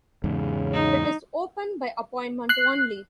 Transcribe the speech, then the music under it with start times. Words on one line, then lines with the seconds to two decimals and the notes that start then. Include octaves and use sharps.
It is open by appointment only.
0.24 E2 G#2 C#3
0.74 D#4
2.49 F#6 C7